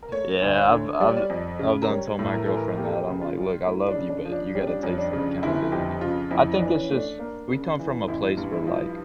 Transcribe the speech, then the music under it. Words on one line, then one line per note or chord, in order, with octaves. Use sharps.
Yeah, I've I've I've done told my girlfriend that, I'm like, "Look, I love you, but you gotta take some accountability." I think it's just we come from a place where, like,
A#4
A3 C#5
D2
C#5
D3
G3 D5
C#5
D5
F2
C#3
A#4
G3 C#5
A2
A#4
E3 A4
A#4
A#3 G4
A4
G4
C#3
F4
G3
A3 E4
D4
C#3
D4
F3
D4
G3 C#4
D4
F2 C#4
D4
C#3
G1 E4
F2 G4
C#3 F4
F2 E4
D4
E3
C#4
A3
D4
A#3
C#3
E3
A1 E4
G2
E4
F3